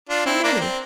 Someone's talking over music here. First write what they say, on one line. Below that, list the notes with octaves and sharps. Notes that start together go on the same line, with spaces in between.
How many?
D4 F4
C4 E4
A#3 D4
A#3
C4